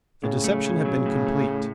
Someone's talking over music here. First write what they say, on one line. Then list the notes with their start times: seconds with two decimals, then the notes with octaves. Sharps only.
The deception had been complete.
0.24 A2 C#3
0.44 A3
0.65 A2
0.85 F#3
1.06 A2
1.27 A3
1.47 A2